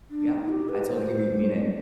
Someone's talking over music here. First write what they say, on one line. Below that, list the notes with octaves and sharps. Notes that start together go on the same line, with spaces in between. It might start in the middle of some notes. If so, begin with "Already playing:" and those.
Yeah, I totally hear what you mean, and,
D4
D#4
G4
B4
C5